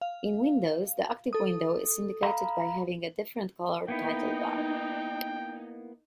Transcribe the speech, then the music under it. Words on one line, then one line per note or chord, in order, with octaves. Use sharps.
In Windows, the active window is indicated by having a different coloured title bar.
F5
A4 D#6
F5 A#5 B5
A#3 B3 D#4 E4 G5